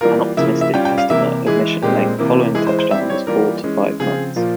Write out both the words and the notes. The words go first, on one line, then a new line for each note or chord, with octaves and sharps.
An optimistic estimate of mission length following touchdown was "four to five months".
E3 G3 A#3 F4 A#4
C#3 F3 A#3 E4 E5
E5
G3 C#4 F4 G5
G5
F5
C3 E3 A#3 E4 E5
E3 G#3 E4 G#4
A#2 G#3 C4 G4
C3 E3 A#3 E4
E3 G#3 E4 G#4
C5
C5
G3 C4 E4 E5
C#5
E3 G3 A#3 F4 A#4
E3 G#3 C#4
C#3 F3 C4 F4 G#4
A#2 F3 A#3 F4